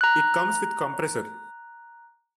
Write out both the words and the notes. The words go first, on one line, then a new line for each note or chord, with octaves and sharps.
It comes with Compressor.
A#5 F#6